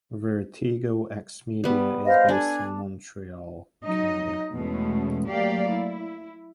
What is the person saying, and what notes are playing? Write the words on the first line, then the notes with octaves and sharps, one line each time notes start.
VertigoXmedia is based in Montreal, Canada.
G3 B3
C5 D#5 F5
D4 A4 G#5
F#3 D#4 D#5
E2 B2 G#3 A3 C#4
F#3 A3 A#3 G4 D5 F5
E4